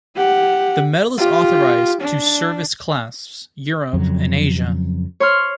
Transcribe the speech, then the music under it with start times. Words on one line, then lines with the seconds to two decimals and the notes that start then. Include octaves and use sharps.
The medal is authorized two service clasps: "Europe" and "Asia".
0.15 G4 F#5
1.18 F4 G4
2.00 D4
3.93 F2 C#3 F#3
5.20 C#5 C6 F6